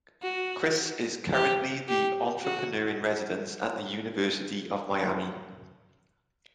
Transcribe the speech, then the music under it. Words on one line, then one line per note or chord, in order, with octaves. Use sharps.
Kriss is currently the Entrepreneur in Residence at the University of Miami.
F#4
G4
G4
F#4